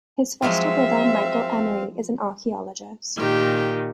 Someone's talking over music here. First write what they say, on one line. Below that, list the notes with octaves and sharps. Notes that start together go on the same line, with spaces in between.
His foster brother, Michael Emery, is an archaeologist.
F3 F#3 G#3 C4 E5 F5
A#2 D#3 G4